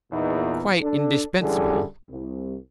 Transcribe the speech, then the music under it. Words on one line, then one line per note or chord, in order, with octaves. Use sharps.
"Quite indispensable."
E2 A#2 D#4
D4 A4
F#2 D3 E3 G3 G#4 A4
C2